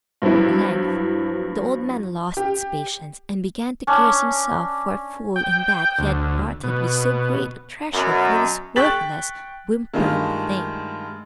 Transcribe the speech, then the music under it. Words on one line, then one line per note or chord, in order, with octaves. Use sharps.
At length the old man lost patience, and began to curse himself for a fool in that he had parted with so great a treasure for this worthless, whimpering thing.
G2 F3 F#3 B3 E4
G4
C#4 D4
G5
D2
B2
F#2 B2
G5 C#6 F#6 A6 B6 F#7
G2 D#3 G#3 A3 F4